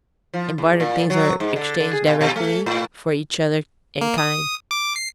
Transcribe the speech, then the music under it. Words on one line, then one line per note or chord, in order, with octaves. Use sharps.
In barter things are exchanged directly for each other in kind.
F3
E2
A#2
F#3
G#2
D3
D3
G#4
B2
B2
A3
A2
A#3
D#6
D6
C7